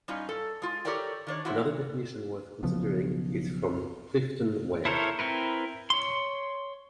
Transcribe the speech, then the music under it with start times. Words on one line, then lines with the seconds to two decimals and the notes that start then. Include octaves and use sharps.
Another definition worth considering is from Clifton Ware.
0.08 G3 C#4 D#4 F4
0.29 A4
0.62 G#3 F4
0.85 G4 A4 A#4 C#5 D5 G5
1.27 D#3 D4 C#5
1.45 E3 C4 E4 F#4
2.63 B1 C#3 F3 B3
4.85 E4 A4 A#4 C5 C#5
5.19 C4 E4 A#4 B4
5.90 C#5 C6